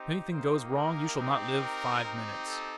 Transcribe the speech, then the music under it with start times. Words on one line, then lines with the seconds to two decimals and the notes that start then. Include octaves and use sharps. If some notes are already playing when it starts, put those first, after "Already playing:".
If anything goes wrong you shall not live five minutes.
Already playing: C4 D#4 G4
0.30 A#3 D#4 G4 C5
0.73 A#4
1.16 C4 D#4 G4
1.59 A#4
2.02 C4 D#4 G4
2.46 A4